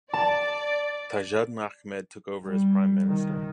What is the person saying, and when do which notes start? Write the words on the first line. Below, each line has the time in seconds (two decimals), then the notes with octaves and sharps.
Tajuddin Ahmed took over as Prime Minister.
0.14 D5 A5
2.44 G3
3.07 D#3